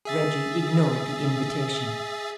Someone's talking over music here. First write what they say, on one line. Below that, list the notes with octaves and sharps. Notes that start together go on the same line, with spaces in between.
Reggie ignored the invitation.
G#4 E5 A6